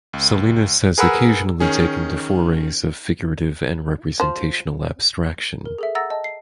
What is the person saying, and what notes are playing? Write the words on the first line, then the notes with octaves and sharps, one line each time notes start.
Salinas has occasionally taken to forays of figurative and representational abstraction.
C#2
G#4 A#4 B4 F#5 B5 E6
D#3 C#4 G#4
F3 C5
A#4
G#4 A4 E5
E5 F#5 A#5 E6 A6 A#6
D#5 A5
C7